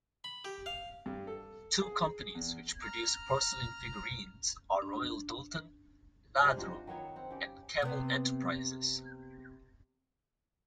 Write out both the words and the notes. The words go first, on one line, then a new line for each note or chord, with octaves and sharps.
Two companies which produce porcelain figurines are Royal Doulton, Lladró and Camal Enterprises.
B5
G4
F5
G2
A4
G#4
E2
A#5 F6
D4
C3 G3 G#3
D4 D#4 F4 F#4
D#3 F#3 B3 C#5
C4 F#5
C#3 G4
C3 B3